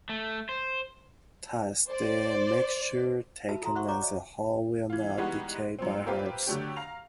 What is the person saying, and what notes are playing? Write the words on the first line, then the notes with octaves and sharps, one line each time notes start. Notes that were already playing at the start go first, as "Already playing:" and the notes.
Thus, the mixture taken as a whole will not decay by halves.
A3
C5
C5 D5
F#4 A#4 E5 A5 B5
F4 A4 E5 A#5 C6
C5 E5 F#5 C6 C#6
F4 C#5 A#5 C#6 D6
D5 E5
E3 F4
E3 G3 G#3 B3 D#4 F#4
F#2 A#2 C4
A#3 C4 F4 G4 B4
D3 F#3 A3 D4 G4
F5 A#5 F7